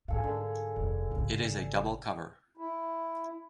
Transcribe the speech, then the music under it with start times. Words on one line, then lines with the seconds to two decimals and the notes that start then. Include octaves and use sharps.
It is a double cover.
0.08 G#2 G#4 A4 F5
0.24 D3
0.76 F1
1.11 G#1 C#3
2.57 E4